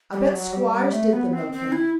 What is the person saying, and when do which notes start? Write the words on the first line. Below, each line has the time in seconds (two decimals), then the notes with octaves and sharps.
I bet squires did the milkin'.
0.13 G3
0.32 F#3
0.53 G3
0.72 G3
0.93 A3
1.13 B3
1.33 C4
1.52 C4
1.72 E4